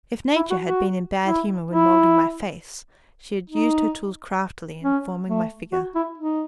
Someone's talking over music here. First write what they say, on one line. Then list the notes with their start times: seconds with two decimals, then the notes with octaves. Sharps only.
If Nature had been in bad humour when moulding my face, she had used her tools craftily in forming my figure.
0.35 E4
0.50 F#4
0.66 F#4
1.26 E4
1.71 E4
3.50 D#4
4.83 C#4
5.29 A3
5.72 F#4
5.95 E4
6.18 D#4